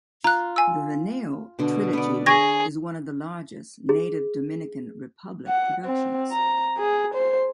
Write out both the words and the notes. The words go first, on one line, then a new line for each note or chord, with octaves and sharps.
The Veneno trilogy is one of the largest native Dominican Republic productions.
F4 A#5 F#6
G#5 E6
B2 D3
B3 D5
G#4 A#5 C#6 G#6 A#6
G#4
F#5
C4
A#5
G#4
C5